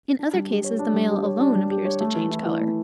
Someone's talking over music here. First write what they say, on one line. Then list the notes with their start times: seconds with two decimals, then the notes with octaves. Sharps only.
In other cases the male alone appears to change colour.
0.19 D4
0.34 G3
0.49 G4
0.64 C#5
0.79 D4
0.94 G3
1.10 G4
1.25 C#5
1.40 D4
1.55 G3
1.71 G4
1.85 C#5
2.00 A3
2.16 E3
2.31 E4
2.45 E3
2.60 A3